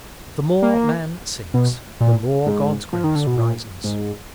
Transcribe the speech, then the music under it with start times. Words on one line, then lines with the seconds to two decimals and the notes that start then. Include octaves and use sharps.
The more man sinks, the more God's grace rises.
0.63 A#3
1.54 B2
2.01 A#2
2.46 G#2
2.93 F3
3.04 D#3
3.15 D3
3.27 B2
3.38 A#2
3.84 G#2